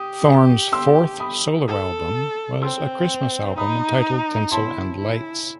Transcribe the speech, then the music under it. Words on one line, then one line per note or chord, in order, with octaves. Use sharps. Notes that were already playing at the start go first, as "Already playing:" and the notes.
Thorn's fourth solo album was a Christmas album entitled "Tinsel and Lights".
Already playing: G4 D#6
C6 E6
B5 D#6
A4
C4 C6 E6
D#4 B5 D#6
E4 A5 C6
E4